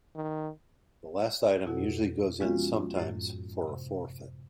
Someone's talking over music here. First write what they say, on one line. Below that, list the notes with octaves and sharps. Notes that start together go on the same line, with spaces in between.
The last item usually goes in, sometimes for a forfeit.
D#3
F2 B2 E4 F#4 A4 F#5
F3 G#3 B3 C#4 F4 F#4
F#2 A2 A6
C3